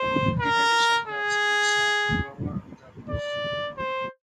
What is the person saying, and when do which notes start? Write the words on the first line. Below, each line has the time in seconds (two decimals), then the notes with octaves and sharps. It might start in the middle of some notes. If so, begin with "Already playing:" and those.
In addition he also made some of the cover of the albums.
Already playing: C5
0.40 A#4
1.08 G#4
3.09 D5
3.78 C5